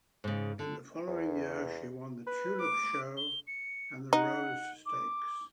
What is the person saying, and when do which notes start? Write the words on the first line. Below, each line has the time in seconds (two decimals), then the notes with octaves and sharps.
In the following year she won the Tulip Sho and the Rose Stakes.
0.24 G#2 C#3
0.59 D3
1.07 E2
2.27 B4
2.60 D6
3.17 G7
3.47 C#7
4.13 D#4 F#5
4.86 D6